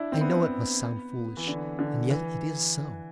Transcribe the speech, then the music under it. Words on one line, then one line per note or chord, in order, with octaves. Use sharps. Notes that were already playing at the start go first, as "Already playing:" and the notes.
'I know it must sound foolish, and yet it is so.'
Already playing: D4 E4
C4
B3
E3
D3
D3
E3